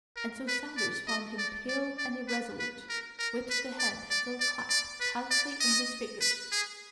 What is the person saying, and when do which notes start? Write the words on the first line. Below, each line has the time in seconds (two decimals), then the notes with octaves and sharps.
And so Saunders found him pale and irresolute, with the hand still clasped tightly in his fingers.
0.16 A#4
0.48 B4
0.77 D5
1.07 D#5
1.38 D5
1.68 D5
1.98 D5
2.28 B4
2.59 B4
2.89 A#4
3.19 A#4
3.50 B4
3.79 D5
4.10 D5
4.40 D5
4.70 D5
5.01 B4
5.31 D5
5.61 D#5
6.21 B4
6.52 G#4